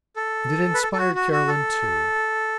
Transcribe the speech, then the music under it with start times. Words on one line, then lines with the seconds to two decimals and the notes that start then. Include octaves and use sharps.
And it inspired Carolyn too.
0.16 A4
0.74 B4
0.83 A4
0.93 A4
0.98 F#4
1.15 F#4
1.32 F#4
1.48 A4